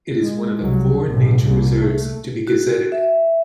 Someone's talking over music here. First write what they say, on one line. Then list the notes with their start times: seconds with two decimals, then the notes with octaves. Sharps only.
It is one of the four nature reserves to be gazetted.
0.22 G#3
0.60 C2 F#3
1.05 B1 A2
1.45 C2 A#2
1.80 A3
2.47 F#4
2.92 E5